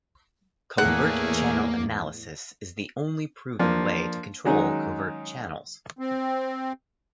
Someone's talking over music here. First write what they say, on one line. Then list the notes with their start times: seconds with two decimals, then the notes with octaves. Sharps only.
Covert channel analysis is the only proven way to control covert channels.
0.78 E2 A2 A3 A#3 C#4 G#4 A#4 F#5
3.59 F3 A#3 D4
4.45 D#3 F#3 G#3 C#4 D#4
5.99 C4